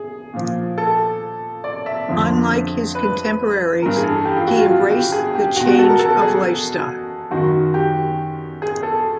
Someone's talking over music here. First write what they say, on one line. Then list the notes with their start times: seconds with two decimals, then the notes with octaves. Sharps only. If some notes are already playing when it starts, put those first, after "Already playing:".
Unlike his contemporaries, he embraced the change of lifestyle.
Already playing: G#4
0.33 A#2 F3
0.78 A4
1.64 D5
1.86 E5
2.08 F2 D3 F3
2.95 B4
3.82 G2 E3 A#4
3.97 G#4
4.03 A4
4.25 G4
4.36 F4
4.47 F#4
4.59 F4
4.69 F4
4.91 G4
5.12 G#4
5.35 G4
5.56 E2 F#4
5.61 B2
5.68 F#4
5.79 A4
5.89 A#4
5.99 A4
6.21 G#4
7.31 F#2 D#3 F#4
7.74 G4
8.62 G#4
8.83 A4